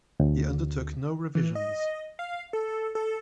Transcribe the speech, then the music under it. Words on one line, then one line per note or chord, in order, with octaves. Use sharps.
He undertook no revisions.
D2
E3
D#5
F5
A4
A4